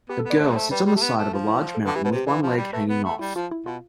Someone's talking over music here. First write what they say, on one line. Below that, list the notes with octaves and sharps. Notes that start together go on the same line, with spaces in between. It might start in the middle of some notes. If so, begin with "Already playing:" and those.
A girl sits on the side of a large mountain with one leg hanging off.
B3 G4
A4
B3
D5
A3 C5
G3
A3 C5
G3 B4
G4
G3
A3 G4
B3
A3
F3 F4
E4
F4
A4
D3 B4
E3 G4
B2 B4
C3 G4
E3 D5
F3
G3
A3 B4
B3
A3
G3 E4
F3 F4
E4
B2 F4